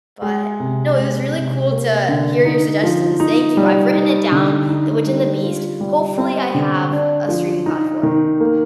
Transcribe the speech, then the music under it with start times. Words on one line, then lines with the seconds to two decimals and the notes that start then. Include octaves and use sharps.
but no, it was really cool to hear your suggestions. Thank you, I've written it down, The Witch and The Beast hopefully, I have a streaming platform
0.22 G#3
0.60 C3
0.97 G#3
1.34 C3
1.71 A#3
2.09 D3
2.45 D#4
2.83 F3
3.20 D#4
3.57 G3
3.94 D#4
4.32 D3
4.69 D#4
5.06 G3
5.43 F4
5.81 G3
6.18 C4
6.54 D3
6.92 D4
7.29 F3
7.66 D#4
8.03 D#3
8.40 A#3